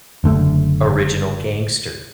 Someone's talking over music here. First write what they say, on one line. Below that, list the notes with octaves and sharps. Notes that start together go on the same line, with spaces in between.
Original Gangster.
F#1 D3 A3